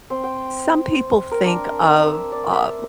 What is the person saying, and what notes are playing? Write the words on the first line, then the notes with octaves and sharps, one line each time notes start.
some people think of, uh,
C4
G5
A#4
D4
E5
E6
D5
E5